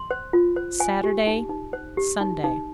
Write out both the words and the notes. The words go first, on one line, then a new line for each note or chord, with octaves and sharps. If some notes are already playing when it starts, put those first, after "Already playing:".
Saturday, Sunday.
Already playing: C6
C5
F4
C5
C5 G#5
G4
D#4
D#4
C5
G4
D#4
D#4